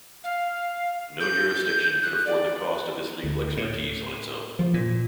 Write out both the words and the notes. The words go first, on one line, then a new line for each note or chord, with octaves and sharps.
No jurisdiction could afford the cost of this legal expertise on its own.
F5
G6
F#6
D5
D2
A2
F3
A#2